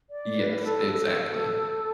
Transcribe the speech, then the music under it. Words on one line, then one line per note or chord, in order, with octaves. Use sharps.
Yes, exactly,
D5
B4
A4
A4